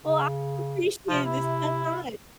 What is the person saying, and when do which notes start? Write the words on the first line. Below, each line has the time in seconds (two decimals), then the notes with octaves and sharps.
Well, I appreciated this, so fun
0.04 C#3
1.08 C3 F3
1.26 E4